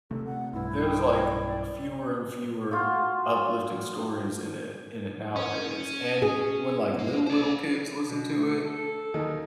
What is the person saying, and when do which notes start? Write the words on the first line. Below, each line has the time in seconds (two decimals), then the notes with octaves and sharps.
there's, like, fewer and fewer uplifting stories in it in it nowadays, and when, like, little little kids listen to it,
0.11 C3 A3 A4
0.25 F#5
0.53 B1 G2 E4
0.83 G5
1.47 D5
2.71 F4 F#4
5.36 C#4
6.22 G#4
6.99 A#3
7.27 C5 D5
8.09 B2
8.38 A3
8.66 A4
9.14 D#2 D#3 D#4